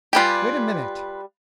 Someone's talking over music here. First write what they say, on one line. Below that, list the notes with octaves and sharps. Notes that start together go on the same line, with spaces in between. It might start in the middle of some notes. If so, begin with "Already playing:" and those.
"Wait a minute."
G3 F4 G4 B4 G#5